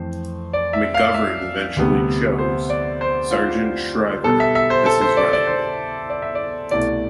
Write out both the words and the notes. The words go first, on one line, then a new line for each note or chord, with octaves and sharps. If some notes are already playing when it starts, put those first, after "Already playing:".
McGovern eventually chose Sargent Shriver as his running mate.
Already playing: F2 E3 A3 C5
D5
E5
F5
E5
D2 C3 G3 B3
C5
D5
C5
F4
B2 G3 B3 A4
E5
E5
C5
A4
C5
D5
D5
C5
D5
E5
D5
C2 B2 A3 D5